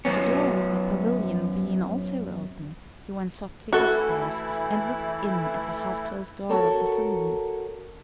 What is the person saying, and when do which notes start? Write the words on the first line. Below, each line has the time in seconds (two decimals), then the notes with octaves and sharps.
The door of the pavilion being also open, he went softly upstairs, and looked in at the half-closed door of the saloon.
0.05 F#2 B3 C#4
3.73 E3 A3 E4 F#4 A4
6.49 F#4 A4 A#4 C#5